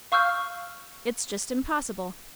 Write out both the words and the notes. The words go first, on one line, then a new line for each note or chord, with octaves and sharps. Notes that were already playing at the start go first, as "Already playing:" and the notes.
It's just impossible!
F5 C#6 E6 F6 G6